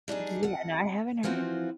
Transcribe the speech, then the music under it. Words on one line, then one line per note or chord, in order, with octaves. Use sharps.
Yeah. No, I haven't heard
G3 D4 D#4 G#4
F2 F#5
E3 F3 C4 F4 F#4